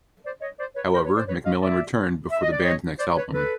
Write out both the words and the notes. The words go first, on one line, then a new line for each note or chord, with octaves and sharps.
However, McMillan returned before the band's next album.
C5 D5
C#5 D#5
C5 D5
B4 C#5
A#4 C5
B4 C#5
C5 D5
B4 C#5
D#5 F5
D5 E5
E5
D#5
D5
C#5 D#5
C5 D5
B4 C#5
A4 B4